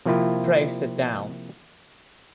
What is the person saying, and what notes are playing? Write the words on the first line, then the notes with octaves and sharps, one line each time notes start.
Pray sit down.
C3 F3 A#3 C4 E4 F4